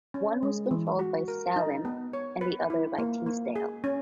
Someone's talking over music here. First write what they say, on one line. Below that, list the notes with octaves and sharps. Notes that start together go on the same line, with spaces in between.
One was controlled by Saleam and the other by Teasdale.
C#4
G#3
E3
F#4
A#4
D#4
B3
C#5
B4
E4
A#3
A#3
G#4
C#4